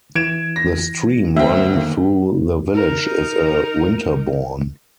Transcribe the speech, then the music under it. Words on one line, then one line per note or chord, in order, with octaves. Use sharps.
The stream running through the village is a winterbourne.
E3 G#6 D7 E7
A#6
D2 C4 E5
D#3 A#3
D#4 A#4